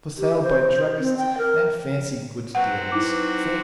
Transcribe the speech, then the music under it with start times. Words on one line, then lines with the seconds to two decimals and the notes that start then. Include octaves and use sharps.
For sale by Druggists and Fancy Goods Dealers. Ferd.
0.18 G4
0.42 C5
1.00 C4
1.17 G5
1.38 A#4
2.55 F#3 C4 F#4 B4 F#5
2.92 D#4 E4 D6